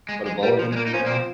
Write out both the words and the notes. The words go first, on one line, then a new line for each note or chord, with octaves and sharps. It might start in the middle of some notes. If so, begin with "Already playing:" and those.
put a bullet in her, you know?
G#3
G#3
G2 G3
F3
G#3
A#3
D#4
F3 C#4
A#3
C4